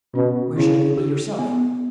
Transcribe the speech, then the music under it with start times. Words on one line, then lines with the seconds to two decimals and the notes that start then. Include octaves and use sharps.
"Where shall you be yourself?"
0.15 B2 C#4
0.56 C#3 E4
0.97 G4
1.39 B3